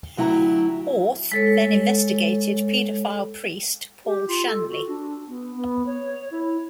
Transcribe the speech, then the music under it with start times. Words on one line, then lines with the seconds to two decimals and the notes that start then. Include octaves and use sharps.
Orth then investigated pedophile priest Paul Shanley.
0.17 D2 F#3 E4 G5 A#5
1.32 G#3 A4 C#5
4.06 G4
4.28 F4
4.46 A4
4.69 F#4
4.88 D4
5.28 B3
5.57 B3
5.86 C#5
6.31 E4